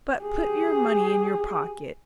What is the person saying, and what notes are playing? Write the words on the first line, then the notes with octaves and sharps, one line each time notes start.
But put your money in your pocket.
G4 G#4